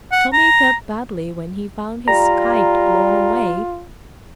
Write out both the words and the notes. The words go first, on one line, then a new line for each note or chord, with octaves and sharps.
Tommie felt badly when he found his kite blown away.
F#5
A#5
G3 F4 A#5